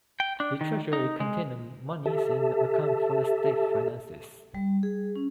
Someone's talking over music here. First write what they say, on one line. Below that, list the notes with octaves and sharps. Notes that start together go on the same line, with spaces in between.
The treasury contained the monies and accounts of the state finances.
G5
D4
D#3
D#4
G#3
G4 A4 E5 A5
G3
G#4
C#4